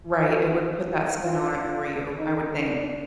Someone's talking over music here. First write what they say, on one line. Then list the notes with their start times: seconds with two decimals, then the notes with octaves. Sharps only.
Right, it would put that spin on it for you, I would think.
0.25 F#4
1.22 F4
2.18 D#4
2.68 D4